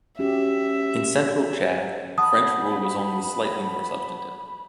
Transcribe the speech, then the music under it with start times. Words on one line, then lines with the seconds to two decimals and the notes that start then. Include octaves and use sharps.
In central Chad, French rule was only slightly more substantive.
0.19 C#4 F#4 G4 E5
2.18 F#5 A5 B5 D#6